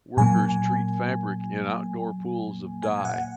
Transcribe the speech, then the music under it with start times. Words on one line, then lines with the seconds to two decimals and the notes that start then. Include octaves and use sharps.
Workers treat fabric in outdoor pools of dye.
0.17 A#2 F#3 A#3 G#5
2.83 G#5
3.05 F#5